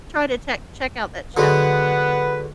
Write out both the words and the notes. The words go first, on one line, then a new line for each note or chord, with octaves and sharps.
try to che check out that show.
D3 F#3 G#3 B4 F#5